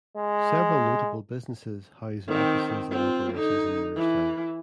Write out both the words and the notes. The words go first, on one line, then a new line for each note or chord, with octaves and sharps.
Several notable businesses house offices and operations in Moorestown.
G#3
D#3 C4
C4 F4
D3 D#4
E3